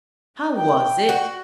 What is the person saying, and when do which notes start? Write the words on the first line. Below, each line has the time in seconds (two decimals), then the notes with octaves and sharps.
How was it?
0.55 G5
1.09 F#4